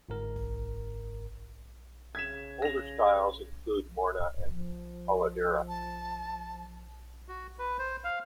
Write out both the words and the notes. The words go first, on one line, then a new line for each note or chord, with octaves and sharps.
Older styles include "morna" and "coladeira".
G1 G#2 A#4
C#3 G#6 B6 E7
A#6 F7
F3
A5
F#4
B4
C5
F5